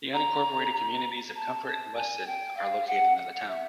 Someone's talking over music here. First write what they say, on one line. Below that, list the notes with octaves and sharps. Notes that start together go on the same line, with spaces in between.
The unincorporated communities of Comfort and Weston are located in the town.
A#5
A5
A5
G#5
G5
F5
F#5
F#5
E5